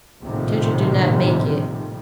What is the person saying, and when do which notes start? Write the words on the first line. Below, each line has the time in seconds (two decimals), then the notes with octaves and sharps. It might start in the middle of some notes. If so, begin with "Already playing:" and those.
Children do not make it.
0.22 F1 A#1 A2 C3 D#3 G3